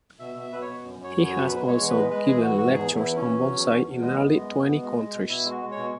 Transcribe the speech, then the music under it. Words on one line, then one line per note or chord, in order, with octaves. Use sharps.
He has also given lectures on bonsai in nearly twenty countries.
B2 E5
B2
E5
B2 B4
B2 C#5
F#2
F#2 C#5
F#2
C#5
F#3
B2 B4
G#3
C#5
E2
B4
G#3
G#3 B4
E3 G#4
E3 F#4
G#2 F#4
E2 G#4
E2
E4
E3
E4
C#4
E3
F#3
E2
E2
E2
G#3 B3
F#2
G#3
F#2
B2
G#3
G#3
B2
B2 E4
G#3
F#4
G#3
C#5
B2